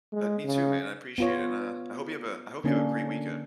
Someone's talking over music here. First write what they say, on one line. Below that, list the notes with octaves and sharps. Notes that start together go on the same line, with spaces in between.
uh, me too, man. I appreciate it, and I I hope you have a I hope you have a great weekend.
G#3
C#3
B3 F4 C#5
D3 A#3 C#4 D4